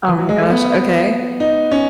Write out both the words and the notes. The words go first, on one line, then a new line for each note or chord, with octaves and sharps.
Oh, my gosh. Okay.
E3
F#3
G#3
A3
B3
D#4
C#4